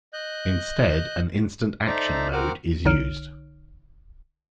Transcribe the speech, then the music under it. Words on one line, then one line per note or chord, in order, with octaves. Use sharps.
Instead an instant action mode is used.
D#5 F#6 G6
D#4 A4 C5 D5 E5 A#5
C4 F#4 A#4 F#5 D6 F6
B1 D3 D#4 C#5 F6 D7